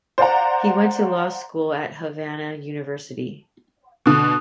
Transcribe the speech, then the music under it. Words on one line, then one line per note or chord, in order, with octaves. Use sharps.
He went to law school at Havana University.
C5 D5 F5 F#5 A#5
B2 D3 D#6 F#6